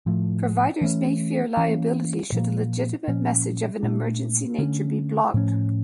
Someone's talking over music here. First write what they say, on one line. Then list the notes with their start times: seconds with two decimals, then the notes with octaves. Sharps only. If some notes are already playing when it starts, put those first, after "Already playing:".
Providers may fear liability should a legitimate message of an emergency nature be blocked.
0.06 A2 F3 A3
0.81 E3 A3 C#4
1.57 E3 A#3 C#4
2.32 A#2 F3 A#3
3.08 A#2 F3 C#4
3.83 A#2 A3 D4
4.59 D3 A3 C#4
5.34 A2 F3 C#4